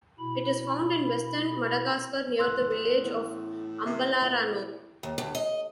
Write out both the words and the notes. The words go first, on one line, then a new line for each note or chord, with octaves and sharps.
It is found in Western Madagascar, near the village of Ambalarano.
B2 E4 B5
A2 C6 E6 F#6
A2 G#4 C5 F#5
E3 B3 C#4
C3 E5
A#2 A3 C4 E4
D#2
D2
D#5